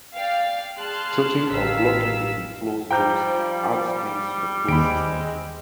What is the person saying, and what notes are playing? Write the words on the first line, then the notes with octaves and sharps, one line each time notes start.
Strutting or blocking between floor joists adds strength to the floor system.
D5 F5 G5
G#4 A5 C6 F6 F#6
A1 D#3 G4 F5 E6 B6
F3 G3 G5 A#5 G6
D#2 G#3 C4 B5 D7